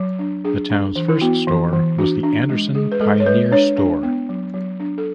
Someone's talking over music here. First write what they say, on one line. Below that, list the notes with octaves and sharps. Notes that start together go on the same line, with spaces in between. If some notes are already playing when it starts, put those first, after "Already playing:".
The town's first store was the Anderson Pioneer Store.
Already playing: F#3
D4
D4 G#4
D4
E3
E4
B3 F#4
E3
E3
D4 F#4
D4
G#3
G#3 G#4
B4
G#3 A4
C#5
G#3 B4
D4 C#5
D4
B3
F#3
F#3
D4
A4